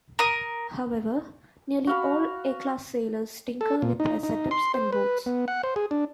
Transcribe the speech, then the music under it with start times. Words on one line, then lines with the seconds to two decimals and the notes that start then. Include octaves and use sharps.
However, nearly all A-Class sailors tinker with their setups and boats.
0.19 A#4 D#6
1.87 F#4 F5 B5
3.61 A4
3.82 A#2
4.00 D#4
4.23 D#4
4.51 C6
4.74 C5
4.93 B4
5.26 B3
5.48 F#5
5.63 C5
5.76 G#4
5.91 D4